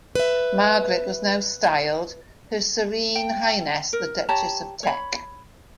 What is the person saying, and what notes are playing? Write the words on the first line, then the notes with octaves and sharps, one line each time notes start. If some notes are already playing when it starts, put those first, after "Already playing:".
Margaret was now styled, "Her Serene Highness The Duchess of Teck".
B4 E5
G5
A#4
G4 C#5 A5 A#5
C#5 B5